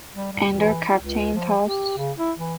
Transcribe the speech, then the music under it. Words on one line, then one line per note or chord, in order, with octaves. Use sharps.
Under Captain Thos.
G3
G3
E3
C#2
F3
G4
C#3
E4
E3